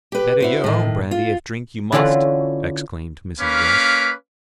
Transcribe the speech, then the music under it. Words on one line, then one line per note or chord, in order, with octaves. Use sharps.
'Better your own brandy, if drink you must!' exclaimed Mrs. Rusk.
G4 B4
E4 F#4 C5
A2 D#3
F4
D3 E3 C#4 D4 F4 F#4
A#3 C#4 B4 F5 B5 D6